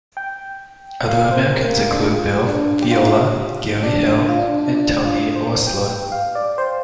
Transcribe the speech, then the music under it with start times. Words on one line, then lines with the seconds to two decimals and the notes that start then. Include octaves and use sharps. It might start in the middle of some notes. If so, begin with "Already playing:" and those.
Other Americans include Bill Viola, Gary Hill and Tony Oursler.
0.17 G5
1.09 F5
1.31 C5
1.55 A#4
1.77 G4
1.91 D4
2.00 F4
2.46 D4
2.82 G4
2.91 F4
3.83 D4
4.29 F4
4.39 D4
4.58 D4
4.75 D4
5.05 F4
5.36 C5
5.67 G5
5.89 G5
6.12 F5
6.35 D5
6.58 C5